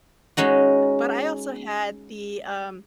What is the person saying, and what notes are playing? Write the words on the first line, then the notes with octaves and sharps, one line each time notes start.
but I also had the, um
G#3 C#4 D#4 F#4